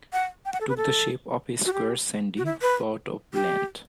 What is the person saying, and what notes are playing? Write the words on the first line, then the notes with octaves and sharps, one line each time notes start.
Took the shape of a square sandy plot of land.
F#5
G5
F#5
A4
B4
A4
F#4
G4
F#4
E4
B4
G4